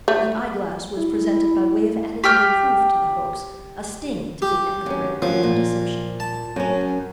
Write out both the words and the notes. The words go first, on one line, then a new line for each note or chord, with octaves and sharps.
The eyeglass was presented by way of adding a reproof to the hoax--a sting to the epigram of the deception.
A3
E4
G4 G5 F6 G6
G4
F#2 C#4
F#2 F3
A#2
A5
F#2 C#4